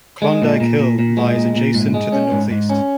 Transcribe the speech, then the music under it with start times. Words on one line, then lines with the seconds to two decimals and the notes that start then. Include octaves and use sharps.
Klondike Hill lies adjacent to the northeast.
0.22 G#3
0.42 A#2
0.60 A#2
0.79 A#2
0.99 A#2
1.17 G#3
1.36 A#2
1.55 A#2
1.74 G#2
1.94 G#3
2.12 C#4
2.32 G#2
2.51 G#2
2.70 C#4